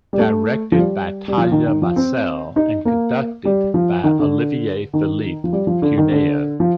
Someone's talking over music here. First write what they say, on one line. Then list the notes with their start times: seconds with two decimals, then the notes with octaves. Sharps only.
Directed by Talya Masel and conducted by Ollivier-Philippe Cuneo.
0.13 G3
0.19 A3
0.72 F3
0.79 G3
1.28 G3
1.38 F3
1.52 D#3
1.67 D#3
1.82 F3
1.96 C4
2.56 D#4
2.85 A#3
3.45 G3
3.74 F3
4.04 D#3
4.19 D3
4.93 D#3
5.44 F3
5.53 G3
5.67 F3
5.82 D3
5.97 D#3
6.11 D3
6.60 F3